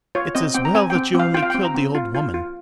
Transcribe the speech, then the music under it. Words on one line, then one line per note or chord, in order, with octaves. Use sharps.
It's as well that you only killed the old woman.
F4 C#5
C4 D#5
C4 G5
A#5
C4 G#5
G5
C4
C4
F5
F4 G5
F5
C4 G5
A#5
C4
F4
F4
F4